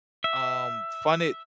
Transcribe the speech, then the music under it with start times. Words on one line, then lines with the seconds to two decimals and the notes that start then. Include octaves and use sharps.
um, funded
0.24 E5